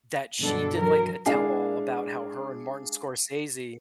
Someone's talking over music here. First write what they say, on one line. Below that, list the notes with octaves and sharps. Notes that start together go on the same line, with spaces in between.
that she did, like, a tell-all about how her and Martin Scorsese
G2 B2 D3 F#3 D4 A4
E3 F#3 A#4
G#3 D4 E4 F5 G#5 C7